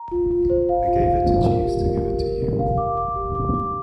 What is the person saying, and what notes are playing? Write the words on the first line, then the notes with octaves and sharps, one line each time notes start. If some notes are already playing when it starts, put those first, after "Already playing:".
I gave it to Jeeves to give it to you.
Already playing: A#5
F4
F4
C5
F5
F4
F5
F4
A#4
G4
A#4
G4
A#4
A#4
F5
D6
D6
G4
D6
D6